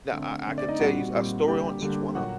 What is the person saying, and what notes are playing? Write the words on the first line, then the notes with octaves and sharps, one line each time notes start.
now I I can tell you a story on each one of
D3 A3 C4
D3 A3 C4
D5
D#4 D#5
A#2 G3 C4 F#4 F#5
A#2 G3 C4
D3 G3 A#3 G4 G5
D3 G3 A#3
A#2 F#3 A#3 F#4 F#5